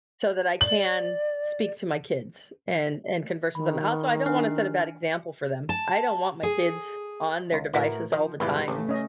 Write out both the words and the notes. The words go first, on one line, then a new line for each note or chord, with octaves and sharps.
so that I can speak to my kids and and converse with them. Also, I don't wanna set a bad example for them. I don't want my kids on their devices all the time,
D5 F#7
D#3 B5
D4 G#5 F6
A5
G#4
C#2
A2 E4 F#4 A#4 B4
D#3 F3
G1 E2 B2 G#3 G4 B4
A1 C#3 A3
C#4 D#5